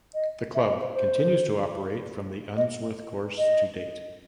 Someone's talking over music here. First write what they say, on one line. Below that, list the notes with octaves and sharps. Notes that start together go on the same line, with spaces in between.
The club continues to operate from the Unsworth course to date.
D#5
E5
D#5
C5
C5
D#5
D#5